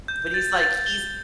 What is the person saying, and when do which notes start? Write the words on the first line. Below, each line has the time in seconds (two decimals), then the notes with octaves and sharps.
But he's like, he's
0.08 G6
0.34 A6
0.60 A6
0.86 G7